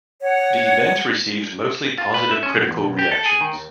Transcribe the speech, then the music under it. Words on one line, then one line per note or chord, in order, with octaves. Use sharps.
The event received mostly positive critical reactions.
C#5 F#5
F4
B4
E5
C#4
B1
E2
B1
G4
A4
G#4
D#3
D#2